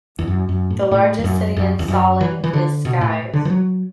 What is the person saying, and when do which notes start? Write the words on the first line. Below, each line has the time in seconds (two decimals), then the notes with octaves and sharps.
The largest city in Salling is Skive.
0.19 E2
0.27 F#2
0.49 F#2
0.70 A2
0.91 A2
1.19 E2
1.24 F#2
1.57 F#2
1.79 E2
1.88 F#2
2.21 E3
2.44 E3
2.53 D3
2.85 B2
3.01 A2
3.33 D3
3.45 E3
3.50 F#3